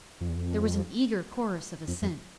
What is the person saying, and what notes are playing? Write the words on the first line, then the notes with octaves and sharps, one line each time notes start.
There was an eager chorus of assent.
F2
E2
F2
F2
F2